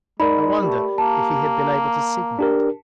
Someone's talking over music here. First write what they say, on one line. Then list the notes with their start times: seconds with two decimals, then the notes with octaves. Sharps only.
I wondered if he had been able to signal it.
0.20 G#3 D#4 A#4 D5 B5
0.63 A3 G4
0.98 A#3 A5
2.39 D4 G4 A#4